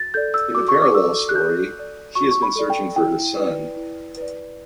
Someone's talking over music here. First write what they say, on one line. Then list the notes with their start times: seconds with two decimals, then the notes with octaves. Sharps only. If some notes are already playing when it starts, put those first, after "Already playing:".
In a parallel story, she has been searching for her son.
Already playing: F#4 A6
0.14 A4 D5 G6
0.34 E6
0.55 F#4 D6
0.69 C#6
0.82 D6
0.95 A4 D5 E6
1.29 F#6
1.35 F#4 G6
1.75 A4 D5
2.15 F#4 C#6
2.31 C#6
2.42 B5
2.56 A4 D5
2.70 G5
2.96 E4 G5
3.36 B4 D5
3.77 E4
4.17 B4 D5